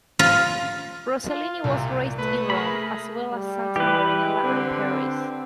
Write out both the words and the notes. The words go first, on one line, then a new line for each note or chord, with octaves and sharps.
Rossellini was raised in Rome, as well as in Santa Marinella and Paris.
F4
F4
C2 A#2
A3 B4
G#4 A#4 B5
G3
E3 G4 B4
D3 C4